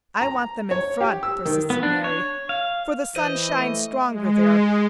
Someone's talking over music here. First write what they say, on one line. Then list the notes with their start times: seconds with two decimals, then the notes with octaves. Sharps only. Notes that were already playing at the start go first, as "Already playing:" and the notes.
"I want them in front," persisted Mary, "for the sun shines stronger there."
0.22 A#5
0.71 C#5
1.01 G4
1.23 E6
1.45 D#3
1.70 B3
1.83 D4
2.04 C#5
2.49 F5
3.16 E3 C5 D#5
3.51 A3
4.08 G#3